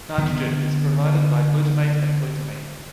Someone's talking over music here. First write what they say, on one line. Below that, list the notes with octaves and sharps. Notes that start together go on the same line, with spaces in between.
Nitrogen is provided by glutamate and glutamine.
D3 B3